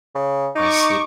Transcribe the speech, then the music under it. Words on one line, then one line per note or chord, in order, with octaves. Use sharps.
I see
C#3
D#4 C#6 D6